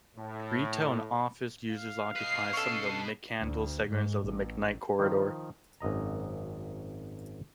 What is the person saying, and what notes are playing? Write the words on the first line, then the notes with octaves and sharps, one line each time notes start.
Retail and office uses occupy some of the McCandless segment of the McKnight corridor.
A2
F5
B4 D#5 C7
C#4 A4
D2
G#2
A1
D#3 F3
G#1 F#2 D#5 A#5